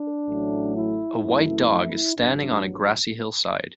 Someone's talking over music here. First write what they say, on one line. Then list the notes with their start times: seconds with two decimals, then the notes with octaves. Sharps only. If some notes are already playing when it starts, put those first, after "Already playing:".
A white dog is standing on a grassy hillside.
Already playing: D4
0.27 A1 A2 F#3 A3
0.75 E4
1.22 F#2 E3 A3 E4
2.17 A1 G2 F#3 D4